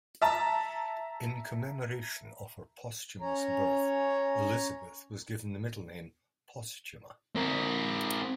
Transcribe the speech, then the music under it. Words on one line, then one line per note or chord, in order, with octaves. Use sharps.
In commemoration of her posthumous birth, Elizabeth was given the middle name Posthuma.
E5 A5 A#5
C#4 C#5 A#5
C4 A#4